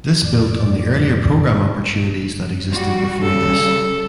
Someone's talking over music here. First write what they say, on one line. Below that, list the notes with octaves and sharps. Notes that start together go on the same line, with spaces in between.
This built on the earlier programme opportunities that existed before this.
F2 A2 D5
G3 F#4
C#3 G3 A4